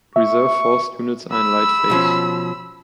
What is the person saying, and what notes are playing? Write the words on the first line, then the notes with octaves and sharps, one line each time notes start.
Reserve Force units are in light face.
E5 C#6
B5 E6
B2 F3 C#4